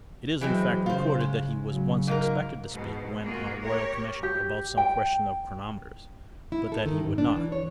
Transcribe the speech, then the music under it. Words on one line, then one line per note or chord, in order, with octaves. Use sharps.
It is, in fact, recorded that he was once expected to speak when on a Royal Commission about some question of chronometers, but that he would not.
E3 F#3 G#3 C4
C#3 F4 C5
G#3
C#3 F#3
G#2 A#3 A#4
G#2 B2
A#3 F4 F#4 G#4
G4 A#4 C#5
G4
G5
E4
A4
D#3
G#2
D4
E3
C#5